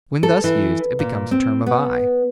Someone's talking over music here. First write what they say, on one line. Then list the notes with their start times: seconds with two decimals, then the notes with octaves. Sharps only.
When thus used it becomes a term of eye.
0.23 A4
0.44 E3
0.99 A#2
1.31 C4
1.66 B3